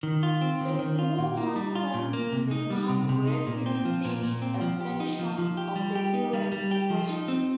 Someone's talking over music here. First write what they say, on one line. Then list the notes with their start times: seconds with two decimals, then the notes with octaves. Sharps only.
There is one last term in the non-relativistic expansion of the Dirac equation.
0.03 D#3
0.23 F4
0.41 C4
0.61 D#3
0.79 D#3
0.99 F4
1.18 A#2
1.37 A#3
1.56 G3
1.75 F4
1.94 A#2
2.13 A#3
2.32 C3
2.51 D#4
2.70 G3
2.89 C3
3.09 C3
3.27 D#4
3.47 A#2
3.66 C4
3.85 F3
4.05 A#2
4.23 A#2
4.42 C4
4.61 F3
4.81 G4
5.00 D#4
5.19 F3
5.38 F3
5.57 G4
5.76 G3
5.95 G4
6.13 D#4
6.33 G3
6.52 G3
6.71 G4
6.90 F3
7.09 D#4
7.28 C4